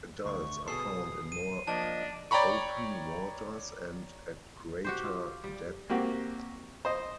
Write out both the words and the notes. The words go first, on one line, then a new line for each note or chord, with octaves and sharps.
Adults are found in more open waters and at greater depth.
D2 C#6
B2 G#4 A4 D#6 C7
D#7
F3 A#3 D4 D#5 A5
C#5 D5 G5 A#5 B5 C#6
F#4 G4 C5
F4
G3
A#3 C4 F#4 G4
C5 D#5